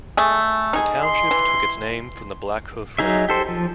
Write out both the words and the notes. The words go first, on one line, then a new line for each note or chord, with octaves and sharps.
The township took its name from the Blackhoof River.
A3 G#4
D#4 G#4
C6
E3
F#3 D#4 G#4 E5
G4 A4 C5
F3